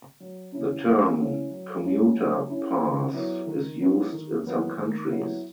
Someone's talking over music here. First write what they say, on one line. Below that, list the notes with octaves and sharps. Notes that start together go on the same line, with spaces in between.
The term "commuter pass" is used in some countries.
F#3
C#4 E4
F#3
C#4 E4
F#3
C#4 E4
F#3
C#4 E4
D#3
F#3 B3 E4
D#3
F#3 B3 E4
D#3
F#3 B3 E4
D#3
F#3 B3 E4